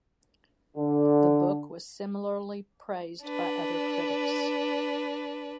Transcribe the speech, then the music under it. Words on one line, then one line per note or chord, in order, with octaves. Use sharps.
The book was similarly praised by other critics.
D3
D4 B4